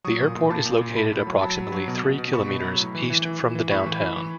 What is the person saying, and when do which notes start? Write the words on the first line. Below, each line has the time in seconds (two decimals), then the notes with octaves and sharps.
The airport is located approximately three kilometers east from the downtown.
0.04 F#3 C#6 D#6
0.20 A#2
0.35 A#2
0.50 A#2 A5 B5
0.65 A#2
0.81 A#2
0.96 A2 A5 B5
1.12 A2
1.27 F#3
1.42 F#3 A5 B5
1.57 F#3
1.72 F#3
1.88 B2
2.03 B2
2.18 B2
2.33 B2 B5 C#6
2.48 B2
2.64 F#3
2.79 A2
2.95 E3
3.10 E3
3.25 E3
3.40 E3
3.55 E3
3.71 A2 B5 C#6
3.86 E3
4.02 E3
4.17 E3